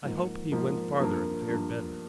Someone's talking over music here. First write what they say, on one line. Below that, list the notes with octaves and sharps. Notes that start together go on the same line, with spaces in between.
I hope he went farther, and fared better.
G#2 F3 A#3
G#2 F3 A#3
G2 F3 A#3
G2 F3 A#3